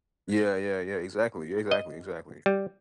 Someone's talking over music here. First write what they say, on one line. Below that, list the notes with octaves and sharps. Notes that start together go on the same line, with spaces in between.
Yeah, yeah, yeah, exactly, exactly, exactly.
D#5
G3